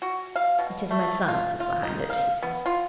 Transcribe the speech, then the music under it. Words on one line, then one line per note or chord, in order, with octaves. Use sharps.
"It is my son that is behind it," he said.
F#4
F5
B2
A3
F4
F4
D#4
F5
B3
F4